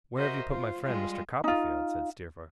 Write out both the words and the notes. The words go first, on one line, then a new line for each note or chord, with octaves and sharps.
'Where have you put my friend, Mr. Copperfield?' said Steerforth.
F#4 A#4 C5 D#5 E5
F4 C5
G3 G#3 F4
D#4 F4